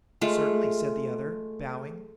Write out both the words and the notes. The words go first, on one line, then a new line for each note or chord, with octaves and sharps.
"Certainly," said the other, bowing.
G#3 A3 F4